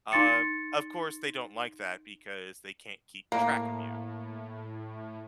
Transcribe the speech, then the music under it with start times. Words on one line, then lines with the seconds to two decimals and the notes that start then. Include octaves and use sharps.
um, of course, they don't like that because they can't keep track of you,
0.12 D#4 C6 A6 C#7
3.32 A2 A#3